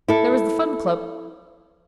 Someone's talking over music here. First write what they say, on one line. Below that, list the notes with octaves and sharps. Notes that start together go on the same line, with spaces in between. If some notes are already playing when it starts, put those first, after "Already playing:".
There was the Fun Club.
E4 A4